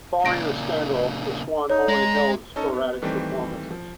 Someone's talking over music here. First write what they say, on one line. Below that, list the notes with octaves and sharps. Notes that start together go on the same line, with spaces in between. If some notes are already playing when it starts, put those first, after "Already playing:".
Following the scandal, the Swan only held sporadic performances.
A#2 C#3 A#6 D7
D#4 C#5
G#3 A#5
C#4 D#4 A4
B3
D#3 E3 G3 A3 C4
F3